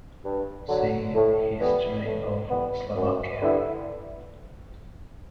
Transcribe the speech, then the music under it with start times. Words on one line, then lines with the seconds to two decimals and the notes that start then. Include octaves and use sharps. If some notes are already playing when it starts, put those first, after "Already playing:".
See History of Slovakia.
0.24 G2
0.69 D3 F#3
1.14 A2
1.60 E3 G3 B3
2.05 A2
2.50 E3 G3 B3
2.96 F#2
3.41 D3 G3 B3 E4